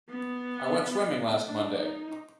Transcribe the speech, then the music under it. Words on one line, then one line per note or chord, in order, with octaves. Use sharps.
I went swimming last Monday.
B3
D4
D#4